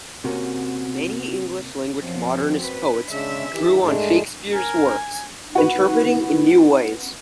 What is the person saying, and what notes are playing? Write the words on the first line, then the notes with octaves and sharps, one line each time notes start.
Many English-language Modernist poets drew on Shakespeare's works, interpreting in new ways.
C3 A#3 C4 C#4 F#4
F#2 F3 C4
B4
C#3 G#3 D4 E5
D#3 E3 G4
G#2 G#3 A3 D4
A#4 G#5
G#5
F#4 B4